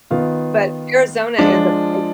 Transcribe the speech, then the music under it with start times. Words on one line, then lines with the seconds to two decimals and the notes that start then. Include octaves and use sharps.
but Arizona is a pla
0.11 D#3 B3 F4 F5
1.39 F3 G#3 D4 F4